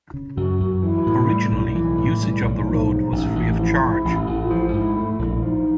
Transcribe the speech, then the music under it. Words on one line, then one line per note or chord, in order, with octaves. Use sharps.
Originally usage of the road was free of charge.
C#3
F#2 F#4
F#2
E3 E4
A2
G3
B1
E3 E4
A2
G3
B1
F3 D#4
G#2
A1
A1
F3 E4
G#2
A1
A1
F4
F3 E4
G#2
A3
A#1
F3 D#4